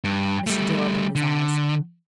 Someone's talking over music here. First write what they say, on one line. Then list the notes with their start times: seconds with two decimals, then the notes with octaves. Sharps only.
Mr. Dill opened his eyes.
0.04 G2
0.47 G3 A3
1.15 D3